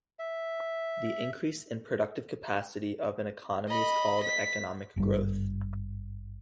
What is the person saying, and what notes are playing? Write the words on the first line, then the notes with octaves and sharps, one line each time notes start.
The increase in productive capacity of an economy is called economic growth.
E5
D#5 B5
B6
G#1 G2 B2 G3